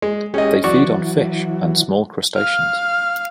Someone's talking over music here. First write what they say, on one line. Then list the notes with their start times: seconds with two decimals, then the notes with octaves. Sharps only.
They feed on fish and small crustaceans.
0.02 G#3
0.34 G#3 C#4 G4 G#4 D#5
0.64 E3 F#3 F#4 D5 C#6
2.37 F5 F6